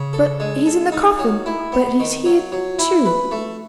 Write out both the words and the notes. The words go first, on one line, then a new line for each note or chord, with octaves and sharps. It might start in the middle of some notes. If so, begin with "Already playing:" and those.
But he's in the coffin ... but he's here, too.
Already playing: C#3
A4
G#3
A4
D#4
F#3
E4
B3
D#3
F#3
F#3
E4
B4
A3